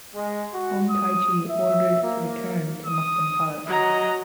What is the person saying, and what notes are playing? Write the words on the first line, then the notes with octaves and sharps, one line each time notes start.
Hong Taiji ordered to return to Mukden palace.
G#3
F#4
D#6
E5
A#3
D#6
F#3 D#5 A#5